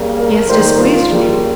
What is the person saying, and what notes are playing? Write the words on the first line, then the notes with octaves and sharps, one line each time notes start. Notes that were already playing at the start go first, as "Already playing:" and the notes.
"He has displeased me."
Already playing: C#3 G3 A#3
A#4
D#3 G3 A#3 C5
F4
C#3 G3 A#3